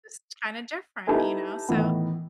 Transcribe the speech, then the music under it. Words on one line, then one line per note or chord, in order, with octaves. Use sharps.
it's kind of different, you know, so
D#4 E4 G4 A4 B4 G#5
A2 D#3 E3 B3